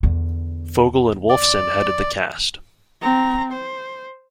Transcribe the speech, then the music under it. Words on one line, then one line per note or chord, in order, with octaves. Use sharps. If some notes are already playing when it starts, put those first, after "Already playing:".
Fogel and Wolfson headed the cast.
E2 D3
D5
C4 A#5
C5